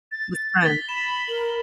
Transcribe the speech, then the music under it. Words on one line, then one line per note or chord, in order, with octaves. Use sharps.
with friends.
A6
A6 B6 G7
B5 E7
A#4 F#7 G7